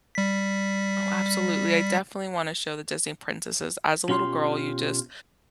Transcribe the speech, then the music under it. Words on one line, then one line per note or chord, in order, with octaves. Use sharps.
Oh, absolutely, I definitely want to show the Disney princesses. As a little girl, you just
G3 B6
B2 C#4 F4 G4 C6